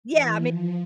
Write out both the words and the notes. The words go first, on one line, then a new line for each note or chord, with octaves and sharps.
Yeah, I mean,
E3
F3